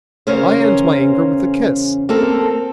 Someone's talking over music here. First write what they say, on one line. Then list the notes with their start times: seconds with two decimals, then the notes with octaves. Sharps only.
I end my anger with a kiss.
0.27 E2 C#3 C#4 A#4 C5
2.09 A#3 C4 A4